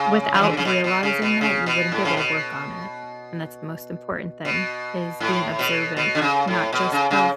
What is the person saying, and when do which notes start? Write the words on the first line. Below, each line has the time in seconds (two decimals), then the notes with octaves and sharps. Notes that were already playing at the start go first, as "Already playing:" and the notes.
without realizing that, you wouldn't be able to work on it. And that's the most important thing, is being observant, not just of
Already playing: C#3
0.34 F#3
0.41 E3
0.50 D3
0.57 C#3
0.65 B2
0.84 B2
1.03 C#3
1.22 B2
1.41 C#3
1.66 B2
1.92 A2
2.05 C#3
2.17 B2
4.45 B2
5.20 A2
5.59 B2
5.97 B2
6.15 D3
6.22 C#3
6.47 A2
6.73 B2
6.92 C#3
7.11 C#3